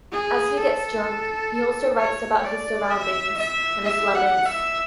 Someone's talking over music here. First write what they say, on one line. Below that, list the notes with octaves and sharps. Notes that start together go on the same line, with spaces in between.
As he gets drunk, he also writes about his surroundings and his laments.
G#4
A4
C#5
D5
E5
E5
E5
F#5
E5